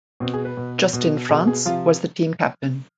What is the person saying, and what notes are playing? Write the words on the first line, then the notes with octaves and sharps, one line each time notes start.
Justin Frantz was the team captain.
B2 C4
G#4
B4
B2
B2
B2 G#4
G#4
C3 F3 F4